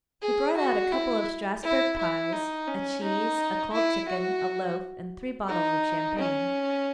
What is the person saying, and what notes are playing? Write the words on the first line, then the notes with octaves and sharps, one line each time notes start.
He brought out a couple of Strassburg pies, a cheese, a cold chicken, a loaf, and three bottles of champagne.
G#4
F#4
E4
E4
E4
D#4
C#4
D#4
E4
F#4
D#4
C#4